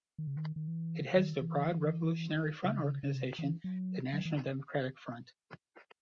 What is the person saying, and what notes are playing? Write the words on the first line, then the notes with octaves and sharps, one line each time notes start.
It heads the broad revolutionary front organization, the National Democratic Front.
D#3
C#3
D#3
D#3
E3
D#3
E3
C#3
C#3
C3
E3
F#3
F#3
E3